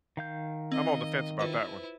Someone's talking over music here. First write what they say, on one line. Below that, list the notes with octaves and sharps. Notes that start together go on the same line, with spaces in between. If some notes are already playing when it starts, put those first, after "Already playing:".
I'm on the fence about that one.
D#3 F5 G6
C4 D#5
E4 F4 B4 C5